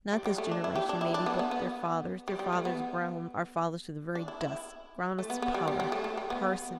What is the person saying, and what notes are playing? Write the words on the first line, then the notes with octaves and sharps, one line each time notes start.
Not this generation maybe, but their fathers. Their fathers ground our fathers to the very dust; ground us to powder! Parson!
G3
G3
A3
D4
E4
G4
D4
E4
D4
B3
B3
B3
G3
G3
A3
B3
D4
E4
E4
A3
B3
B3
G3
G3
G3
A3
A3
G3
B3